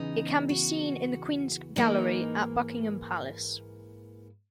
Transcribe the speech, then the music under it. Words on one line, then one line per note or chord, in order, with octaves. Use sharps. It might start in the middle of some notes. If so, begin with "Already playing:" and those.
It can be seen in the Queen's Gallery at Buckingham Palace.
Already playing: E2 C#3 E3 B3 D#4
F#4
G#2 E3 A#3 D#4